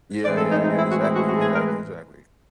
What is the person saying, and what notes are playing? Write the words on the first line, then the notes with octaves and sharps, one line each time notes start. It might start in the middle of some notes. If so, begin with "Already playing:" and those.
Yeah, yeah, yeah, exactly, exactly, exactly.
A2 E3 G#3 C4 D5
A4
D#4
D#4
E4
F#4
E4
F#4
F#4
G#4
A#4
B4